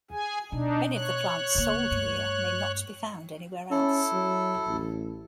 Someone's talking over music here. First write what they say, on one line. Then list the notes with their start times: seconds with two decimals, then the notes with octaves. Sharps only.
Many of the plants sold here may not be found anywhere else.
0.11 G#4 G#5
0.52 B2 D4 D#4
0.94 C#5 F#6
1.55 C#3 A#3
1.91 G2 A3
3.71 C#4 E4 A4
4.12 F#3
4.67 A1